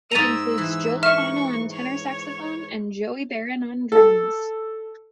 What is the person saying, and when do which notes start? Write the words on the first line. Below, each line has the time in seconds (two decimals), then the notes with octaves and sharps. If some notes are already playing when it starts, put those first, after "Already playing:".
It includes Joe Lovano on tenor saxophone and Joey Baron on drums.
0.11 G#2 A#5 E6 A6 D#7 F7
0.58 E3
1.03 E5 C#6 F6 E7
1.72 C#5
3.92 A4